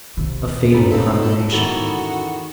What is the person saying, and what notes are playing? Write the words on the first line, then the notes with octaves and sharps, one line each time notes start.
A fatal combination.
D#2 C3
G#2 C#4 A4 A#4 B5
C4 D#4 F4 A4
E2 D#3 F#4 A4